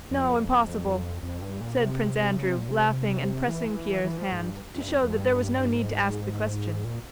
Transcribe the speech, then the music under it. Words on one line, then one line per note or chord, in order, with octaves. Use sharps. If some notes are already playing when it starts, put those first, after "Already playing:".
"No, impossible!" said Prince Andrew, laughing and pressing Pierre's hand to show that there was no need to ask the question.
F2
F2
G2
A#2
C3
C#3
C3
A#2
C3
E3
E3
F3
G#2
G2
F2
G2
F2
F2
G2
G#2
A#2